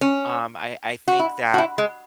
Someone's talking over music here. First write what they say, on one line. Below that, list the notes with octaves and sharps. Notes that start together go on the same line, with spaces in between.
um, I I think that
C#4
F#4
E4
F#4
E4
G#3